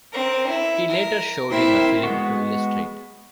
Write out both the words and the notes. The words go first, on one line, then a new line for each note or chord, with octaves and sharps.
He later showed him a film to illustrate.
C4 A#4
E4
A#4
C4 E4 A#4 C5 E5
G#3 B3 F#4